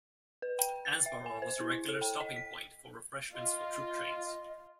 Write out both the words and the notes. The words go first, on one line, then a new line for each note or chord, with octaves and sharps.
Landsborough was a regular stopping point for refreshments for troop trains.
B4
G5
A6
E5
G#5
C5
E4
A4
G5
D#5
B6
F4 D#5